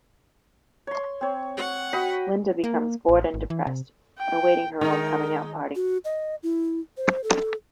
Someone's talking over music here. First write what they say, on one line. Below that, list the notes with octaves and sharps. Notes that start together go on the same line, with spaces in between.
Linda becomes bored and depressed, awaiting her own coming-out party.
C#5 C6
C4 C#5
F#5 C#6
F#4 D#5 G5 B5
A#3
A1
G#1
E3
C3
G5
D#3 G#3 D#4 A#4
F#4
D#5
E4
C5
A4